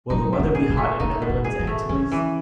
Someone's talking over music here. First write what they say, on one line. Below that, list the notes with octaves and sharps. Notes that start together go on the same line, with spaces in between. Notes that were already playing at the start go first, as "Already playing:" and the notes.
Will the weather be hot in Netherlands Antilles?
F#3 D#4
B2
D#3
G#4
C#3
A3
C#3 D#4
B2
C#3
G#4
D#3
A3
E3 C#4
E3